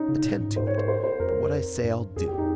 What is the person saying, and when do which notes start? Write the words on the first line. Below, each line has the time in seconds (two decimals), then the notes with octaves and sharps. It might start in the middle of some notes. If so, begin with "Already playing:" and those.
Attend to it; for what I say I'll do.
Already playing: C#4 D#4
0.09 C#3
0.25 A#2
0.40 G#2
0.56 C5
0.67 C#5
0.78 C5
0.88 C5
1.04 C5
1.20 F2 A#4
1.84 G2
2.16 F2 G#4
2.27 G4
2.38 D#4